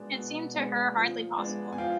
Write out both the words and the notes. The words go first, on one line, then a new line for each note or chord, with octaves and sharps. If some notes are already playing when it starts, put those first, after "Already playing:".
It seemed to her hardly possible.
Already playing: B2 G#3 B3 D4
B2
G#3 B3 D4
F3
G#3 B3 D4
G#5
F3 F5 G5